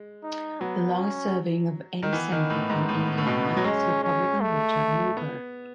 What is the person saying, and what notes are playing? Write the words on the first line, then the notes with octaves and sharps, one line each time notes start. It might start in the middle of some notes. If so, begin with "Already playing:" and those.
The longest-serving of any Senator from Indiana is Republican Richard Lugar.
Already playing: G#3
D#4
F#3 B3
C#4
D#3
E3 B3
D#3
A2
G#2
A2
A2
B2
F#3
G#3 C#4
C#4
A3
B3